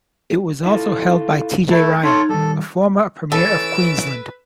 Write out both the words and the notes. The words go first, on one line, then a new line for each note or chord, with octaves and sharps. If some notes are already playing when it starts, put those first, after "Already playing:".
It was also held by T. J. Ryan, a former Premier of Queensland.
E4 F4 A4
A3 E4 A5
D#4 F4 A4 C#5
D#3 G3 A4
E3 C#4 A4 B4 E6 D7